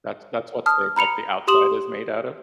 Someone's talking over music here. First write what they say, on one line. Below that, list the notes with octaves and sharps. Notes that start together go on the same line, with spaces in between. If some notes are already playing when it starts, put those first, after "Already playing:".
That's that's what's they like, the outside is made out of?
A5 D#6 F6
A#5 B5 C#7 F7
G4 C6 D#6 E7 F#7